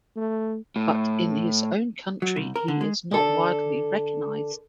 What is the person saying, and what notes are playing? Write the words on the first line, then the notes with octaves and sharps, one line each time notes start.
But in his own country he is not widely recognized.
A3
A2
F#3
C2
A#4
D3
G#3
D3 A4